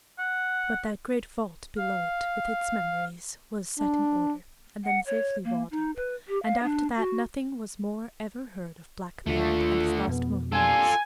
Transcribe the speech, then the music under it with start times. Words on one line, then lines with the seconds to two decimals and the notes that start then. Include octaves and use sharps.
But that great vault below it, with its memories, was set in order, and then safely walled up, and after that nothing was more ever heard of Blackbeard and his lost Mohunes.
0.19 F#5
1.77 F5
3.78 D4
4.85 F#5
5.06 C#5
5.44 A#3
5.71 D#4
5.96 B4
6.28 G4
6.43 F5
6.63 D4
6.97 F#4
9.27 D#2 D3 A3 F4
10.08 F2 B2 B3
10.52 A#2 G3 D4 F4 A4 G#5